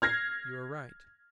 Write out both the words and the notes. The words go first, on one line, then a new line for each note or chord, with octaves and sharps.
You are right.
F6 G#6 A#6 C7